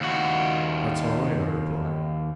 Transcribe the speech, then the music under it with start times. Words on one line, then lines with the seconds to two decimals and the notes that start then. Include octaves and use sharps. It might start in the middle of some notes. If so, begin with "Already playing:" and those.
"That's all right," I replied.
0.01 D#2 F#4